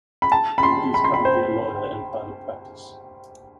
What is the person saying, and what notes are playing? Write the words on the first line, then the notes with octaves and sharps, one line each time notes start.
He is currently a lawyer in private practice.
B5
A5
B5
C6
B5
C6
B5
C5